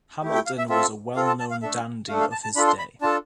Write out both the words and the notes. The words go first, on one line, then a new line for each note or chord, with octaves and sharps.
Hamilton was a well-known dandy of his day.
A3 E4 G4
G5
F5
E5
C4 F4 A4 E5
C4 F4 A4 F5
A5
A5
F5
A3 D4 A4 E5
A3 D4 A4 F5
F5
A5
A5
D4 F4 A4 B5
C6
B5
D4 F4 A4 A5